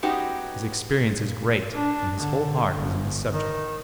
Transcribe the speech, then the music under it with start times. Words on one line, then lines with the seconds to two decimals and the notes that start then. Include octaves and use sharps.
His experience is great, and his whole heart was in his subject.
0.03 G#3 B3 C#4 D#4 F#4 G4
1.19 A#2
1.73 D4
2.17 D3
2.74 G1
3.31 D#3